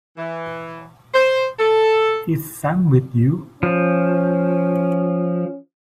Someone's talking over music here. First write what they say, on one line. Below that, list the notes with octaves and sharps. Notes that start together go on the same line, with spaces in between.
Is Sam with you?
E3
C5
A4
F3 C#4